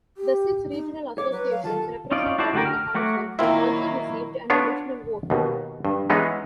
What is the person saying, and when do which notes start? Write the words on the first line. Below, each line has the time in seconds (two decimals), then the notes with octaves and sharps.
The six regional associations represented on the Council also received an additional vote.
0.17 G4
0.72 D#4
1.18 C#5 D6
1.32 F#3 B4
1.51 F5
1.64 D#2 F4 A4 A5
2.11 C#4 D#4 F4 D5
2.38 E4 F#4 C5 D5 A5
2.53 D3 A3 F#4 G4 A#4
2.65 F6
2.95 F#3 A3 F#4 F#5 D6
3.39 A#2 D#3 F#3 A#3 C4 E4 F4 E5
4.50 B3 D4 F4 C#5
5.30 D#2 B2
5.85 G2
6.10 E3 G#3 B3 C#4 D#4